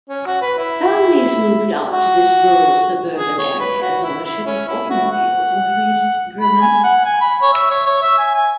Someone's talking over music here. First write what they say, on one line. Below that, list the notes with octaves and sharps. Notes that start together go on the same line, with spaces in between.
Families moved out to this rural suburban area as ownership of automobiles increased dramatically.
C#4
F#4
B4
E4
F#4
G#4
C#5
B4
F#4
E4
E4
C#4
E4
F#4
F#5
B5
G#5
F#5
G#5
B5
C#5
E5
C#5
C#5
E5
G#5
G#5